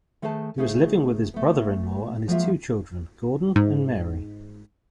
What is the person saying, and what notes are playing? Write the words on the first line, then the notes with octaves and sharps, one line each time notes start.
He was living with his brother-in-law and his two children, Gordon and Mary.
D#3 A3 G#4 B4 G5 A5
C#3 A3 D#4 G#4 C5
A3 B3
F3 F#3 G#3 A#3 F4 E5
G#2